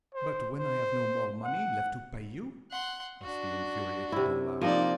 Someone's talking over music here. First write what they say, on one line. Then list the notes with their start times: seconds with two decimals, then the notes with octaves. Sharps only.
"But when I have no more money left to pay you?" asked the infuriated Danglars.
0.14 C5
0.59 C5
1.44 F#5
2.71 F#5 C6
3.22 D4 F#4
4.12 C3 E4
4.61 F3 A#3 C4 D#4 D5